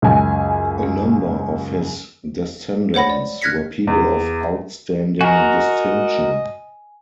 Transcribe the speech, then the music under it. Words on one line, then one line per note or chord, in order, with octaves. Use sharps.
A number of his descendants were people of outstanding distinction.
C#2 F#2 G#5
C5 C#5 F#5 B5 A#6
D5
F6 F#6 G#6 A#6 B6 C#7
E2
F#4 A#4 D#5 G#5